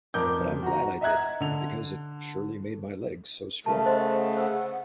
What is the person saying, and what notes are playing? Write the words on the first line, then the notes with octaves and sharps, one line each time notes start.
But I'm glad I did, because it surely made my legs so strong.
F2 A#4 D6 G6
F#4 A#5
D#5 E5 A#5 F#6 G#6
D3 F7
C#3 A3 A#4 A5
C5 D#5 F#5 C6
C5 E6